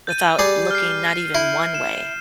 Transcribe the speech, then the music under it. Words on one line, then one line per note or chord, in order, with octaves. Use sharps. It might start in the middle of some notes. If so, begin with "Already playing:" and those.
without looking not even one way.
G6 A6 D#7
G3 G#4
F6 C7
E4
E7